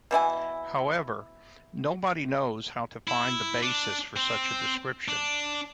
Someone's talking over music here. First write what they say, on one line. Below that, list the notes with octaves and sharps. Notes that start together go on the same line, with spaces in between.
However, nobody knows how to find the basis for such a description.
B2 E3 E4 G#5
E4
D4
C4
D4